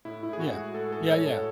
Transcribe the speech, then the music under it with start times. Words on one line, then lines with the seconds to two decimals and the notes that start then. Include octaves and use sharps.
Yeah. Yeah, yeah.
0.05 A2 E4
0.23 E4
0.29 A2 G#4
0.40 F#4
0.52 G#3
0.74 A2 A4
0.92 A4
0.98 A2
1.09 C#5
1.21 A2
1.26 A4